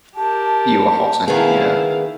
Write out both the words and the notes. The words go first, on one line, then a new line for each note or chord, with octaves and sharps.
You are hot in here!
G4 A#4 A5
D#3 B3 E4 G#4 F5